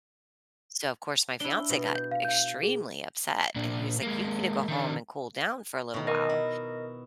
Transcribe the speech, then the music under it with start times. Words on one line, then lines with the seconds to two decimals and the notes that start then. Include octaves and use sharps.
so, of course, my fiance got extremely upset, and he was, like, "You need to go home and cool down for a little while.
1.40 D4 E4 G7
1.70 B2
1.95 G6
2.11 F5
2.25 F5 G6
2.63 G#4
3.56 A#2 D4
4.02 G#3 A#3
4.69 D#3 D4
5.94 B2 D#3
6.07 A#4 D#5
6.29 E4